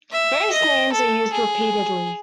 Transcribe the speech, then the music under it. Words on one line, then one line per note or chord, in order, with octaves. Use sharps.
Various names are used repeatedly.
E5
D#5
A4
G#4